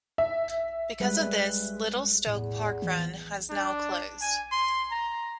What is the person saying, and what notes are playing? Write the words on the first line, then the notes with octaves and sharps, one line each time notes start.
Because of this, Little Stoke Parkrun has now closed.
E5
G3 G#3 B4
E2 A2
E3
D4
G#5
C6
A#5